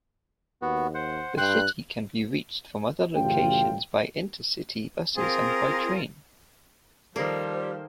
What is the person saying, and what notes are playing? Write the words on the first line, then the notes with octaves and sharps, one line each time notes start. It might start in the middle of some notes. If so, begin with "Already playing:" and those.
The city can be reached from other locations by inter-city buses and by train.
D#2 B3 F#4
C5 F#5
G2 G5 C6 F#6
A1 F#2 C#3 F4 G4 G5
C4 F4 G#4 A#4
D#3 F3 G3 A#3 A4 C5